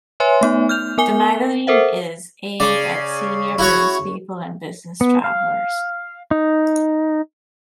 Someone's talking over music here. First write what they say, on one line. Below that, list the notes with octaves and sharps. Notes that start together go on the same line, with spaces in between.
The magazine is aimed at senior businesspeople and business travellers.
B4 C#5 E5 G#5 C6
A3 B3 D#4
F6 G6 F7
B3 A#4 G#5 G7
A4 A#4 C5 E5 F#5
C#3 D5
E4 F#4 C#5
B3
F5
D#4